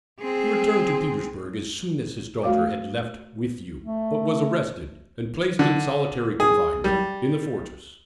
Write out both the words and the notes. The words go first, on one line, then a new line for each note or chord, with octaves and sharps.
He returned to Petersburg as soon as his daughter had left with you, but was arrested and placed in solitary confinement in the Fortress.
C4 G#4
A3 F#4 F5 D6
A3
D3
G#4
G3